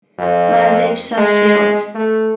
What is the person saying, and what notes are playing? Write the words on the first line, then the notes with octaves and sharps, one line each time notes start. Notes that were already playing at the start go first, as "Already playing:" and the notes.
My lips are sealed.
F2
G#3
A3